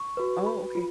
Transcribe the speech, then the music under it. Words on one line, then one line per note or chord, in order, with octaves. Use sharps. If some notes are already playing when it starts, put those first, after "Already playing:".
Oh, okay.
Already playing: C#6
F#4 B4
B5
F4